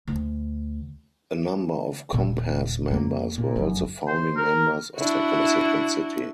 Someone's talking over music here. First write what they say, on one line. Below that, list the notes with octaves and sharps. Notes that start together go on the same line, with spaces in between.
A number of Compass members were also founding members of The Second City.
D2
D#1 A#2
F2 A#3
A#2
F1 F#2
C5
A#4
D4 E4 F#4